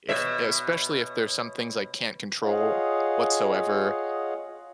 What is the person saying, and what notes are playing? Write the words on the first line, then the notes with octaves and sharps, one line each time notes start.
if especially if there's some things I can't control whatsoever,
B2 C#5 E5
F4 G#4 C#5 D#5 F5 F#5